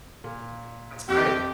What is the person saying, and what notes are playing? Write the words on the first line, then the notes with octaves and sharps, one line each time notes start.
That's great.
A#2
F2 G4